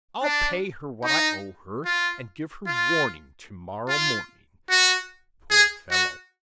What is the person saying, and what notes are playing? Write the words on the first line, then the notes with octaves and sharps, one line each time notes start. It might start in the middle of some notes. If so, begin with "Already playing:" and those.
'I'll pay her what I owe her, and give her warning to-morrow morning.' Poor fellow!
D4
D#4
F4
F4
F4
F#4
G#4
F#4